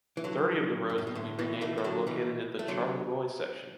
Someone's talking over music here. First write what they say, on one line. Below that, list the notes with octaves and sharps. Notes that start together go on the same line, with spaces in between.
Thirty of the roads to be renamed are located in the Charleroi section.
E3
D3 F#3
F#2
A2
B2
A2 D3
B2 E3
E3 A3
A3
D3 F#3
B2 E3
A3
D3 F#3